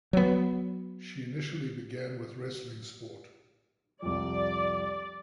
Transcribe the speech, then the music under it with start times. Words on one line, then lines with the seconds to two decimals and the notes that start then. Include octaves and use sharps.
She initially began with wrestling sport.
0.13 F#3 B3
4.02 C2 F2 D5